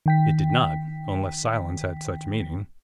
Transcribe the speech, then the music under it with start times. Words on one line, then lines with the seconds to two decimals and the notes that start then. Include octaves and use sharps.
It did not,--unless silence had such meaning.
0.06 D#3 G5 B6